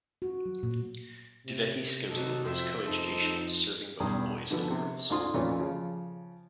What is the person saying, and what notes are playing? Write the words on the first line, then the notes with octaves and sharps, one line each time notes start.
Divehi Scouting is coeducational, serving both boys and girls.
F#4
F#3
A#2
C3
C3 F#3 D#4 A4
F2 C5 E5 G5
F2 D#4 A4 C5 E6
B1 E2 G2 A#5 D#6
G#2 D3 F3 B3 A4
C3
D2 G#2 F4 C6 D#6
F2 A#2 E3 A3 C#4 F4
C#3 F3